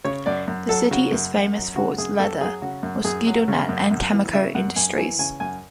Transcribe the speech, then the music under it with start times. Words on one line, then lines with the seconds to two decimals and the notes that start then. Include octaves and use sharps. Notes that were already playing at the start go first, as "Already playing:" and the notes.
The city is famous for its leather, mosquito net and chemical industries.
0.04 C#3 C#5
0.26 F#2 D5
0.48 F#2
0.69 F#3 A4
0.91 C#3 F#4
1.12 F#2
1.34 F#2
1.55 F#3
1.76 C#3 F#4
1.98 F#2 G#4
2.19 F#2 A4
2.41 F#3 G#4
2.62 C#3 F#4
2.83 F#2
3.04 F#2 G#4
3.26 F#3
3.48 C#3
3.69 F#2
3.91 F#2
4.12 E3
4.33 C#3 E5
4.55 F#2 F#5
4.76 F#2 G#5
4.98 E3 G#5
5.19 C#3 G#5
5.40 F#2 G#5